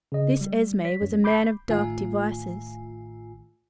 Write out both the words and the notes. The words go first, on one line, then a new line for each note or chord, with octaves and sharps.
This Esme was a man of dark devices.
C#3 D#5
G3
C#5 B6
F#2
B5 D6 G6 C7
A1 A2 D#3 A3 F4 G#5